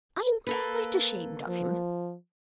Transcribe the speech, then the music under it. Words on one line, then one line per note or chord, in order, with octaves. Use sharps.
I am quite ashamed of him.
A#3 A4 B4
F3